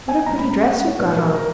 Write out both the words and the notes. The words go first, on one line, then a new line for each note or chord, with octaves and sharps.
"What a pretty dress you've got on!"
G#5
A#1 A#2 G#3 B3 A#5
B5
A#5
F#5
F#5
C#5
A#1 G#2 F#3 B3 D#4 B4
A#4
A#4